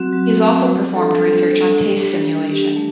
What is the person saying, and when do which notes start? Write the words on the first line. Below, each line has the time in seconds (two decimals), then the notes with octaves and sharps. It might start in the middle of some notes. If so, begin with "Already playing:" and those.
He has also performed research on taste simulation.
Already playing: F#3 C4 F#4
0.13 F#3
0.38 C4 F#4
0.65 G3
0.92 D4 A4
1.18 G3
1.44 D4 A4
1.71 G3
1.97 D4 G4
2.23 G3
2.50 D4 G4
2.76 A3